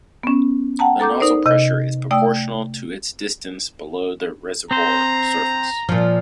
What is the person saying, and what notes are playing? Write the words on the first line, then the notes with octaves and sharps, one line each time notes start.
The nozzle pressure is proportional to its distance below the reservoir surface.
B3 C#4
F#5 G5 A5 A#5
A4 A#5 D6 G6
D#4 A#4 C5 D5
C3 D#5 G6
A3 D5 G5 D#6 E6
C4 C5 A#5
A#2 F3